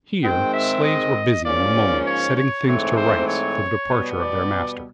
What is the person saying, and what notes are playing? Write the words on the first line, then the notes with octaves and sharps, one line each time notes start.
Here slaves were busy in a moment setting things to rights for the departure of their master.
G#2 D#3 G#3 C4 G5
E5
D#5
G#2 F3 A#3 C#4 D5
C#5
C#5
G#2 E3 A3 C4 C#5
C5
C#5
B2 G3 B3
D5